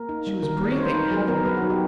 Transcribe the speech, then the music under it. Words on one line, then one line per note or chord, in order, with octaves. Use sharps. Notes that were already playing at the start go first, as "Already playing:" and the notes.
She was breathing heavily.
Already playing: A#3 A#4
D#4
G3
D#3 A#4
A#3 D5
C#5
D#4 C5
B4
D#4 A#4
F#3 G#4
B3 A#4
F#3 B4
F#4
D#4
G4